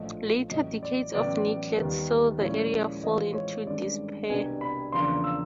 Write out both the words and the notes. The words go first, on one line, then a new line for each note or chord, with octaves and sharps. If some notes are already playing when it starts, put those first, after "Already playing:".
Later decades of neglect saw the area fall into disrepair.
Already playing: A#1 A2 F3 A3 D#5
A1 A2 F#3 D#5
D5
A1 A2 F#3 B3 D5
D#2 D#3 G3 B3
A#2 F3 G#3 C#4 E4
A2 E3 G#3 C4 F4 D#5
C#5
G#1 G2 D#3 G#3 C#4 D5
C2 B2 G3 B3 D4 G#5
B5
E2 C#3 F3 A#3 D4 C6
E6